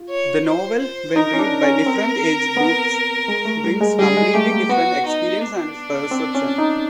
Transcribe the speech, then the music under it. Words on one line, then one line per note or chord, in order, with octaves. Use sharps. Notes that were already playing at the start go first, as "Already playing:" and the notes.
The novel when read by different age groups brings completely different experience and perception.
Already playing: F4
C#5
C5
C5
D#4 A#4
C#4
D4
C#4
C4
B3
G#3
A3
G3
G#3
G3 G#4
G#3
A3 G4
A#3
B3 F#4
D#4
D4
C4
C#4
D#4